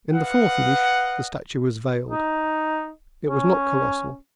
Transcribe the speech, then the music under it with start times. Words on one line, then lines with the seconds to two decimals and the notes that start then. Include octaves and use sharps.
In the fourth niche the statue was veiled; it was not colossal.
0.12 B4 D#5 F5 F#5
2.10 D#4
3.29 C#4